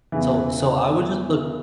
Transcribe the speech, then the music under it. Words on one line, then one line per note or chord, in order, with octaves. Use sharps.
So so I would just look
E2 C#3 E3